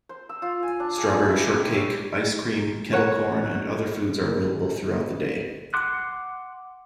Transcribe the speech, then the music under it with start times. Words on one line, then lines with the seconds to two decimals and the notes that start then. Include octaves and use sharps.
Strawberry shortcake, ice cream, kettle corn and other foods are available throughout the day.
0.09 C5
0.29 E6
0.42 F4
0.63 G#5
0.80 D4
0.98 G#4
1.13 D5
1.29 E4
1.56 G5
1.74 C#5
2.92 A#4 C#5 F#5
5.74 F#5 C6 D6 F#6